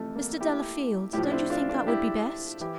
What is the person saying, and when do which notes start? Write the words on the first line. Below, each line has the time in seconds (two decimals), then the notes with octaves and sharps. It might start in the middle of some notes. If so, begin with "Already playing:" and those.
Mr. Delafield, don't you think that would be best?...
Already playing: F2 C3 E3 A3
0.16 A#3
0.41 E4 G4
1.13 A2 F3 E4 G4
1.23 D4
1.32 C4 E4
1.50 D4 F4
1.69 D4 F4
1.87 E4 G4
2.61 E3 E4 G4